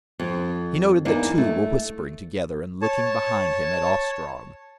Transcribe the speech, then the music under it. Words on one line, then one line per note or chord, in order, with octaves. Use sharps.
He noted that two were whispering together and looking behind him at Ostrog.
F2
E2 A#3 D4 D#4
A3
C#5 A5